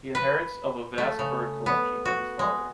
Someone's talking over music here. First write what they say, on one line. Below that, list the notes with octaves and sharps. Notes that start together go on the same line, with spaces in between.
He inherits of a vast bird collection from his father.
B4
A3
C#3
B3
F#4
G#3